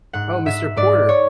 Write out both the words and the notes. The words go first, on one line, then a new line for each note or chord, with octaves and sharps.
Oh, Mr Porter!
G#2 F#5
G#2 E5
G#2 D5
C#5